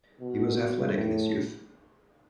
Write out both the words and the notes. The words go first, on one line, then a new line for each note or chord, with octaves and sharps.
He was athletic in his youth.
B2
A2